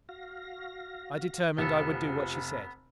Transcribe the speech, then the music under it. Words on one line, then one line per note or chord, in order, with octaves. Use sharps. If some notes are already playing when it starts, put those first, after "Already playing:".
I determined I would do what she said.
F#4 F5 A#6
F1 B3 C4 F4 G4 A4